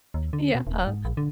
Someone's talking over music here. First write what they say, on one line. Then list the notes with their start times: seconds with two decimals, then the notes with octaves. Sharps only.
Yeah, uh
0.14 D#2
0.33 D3
0.55 B2
0.67 D#1
0.87 G#2
1.05 A#1
1.17 D3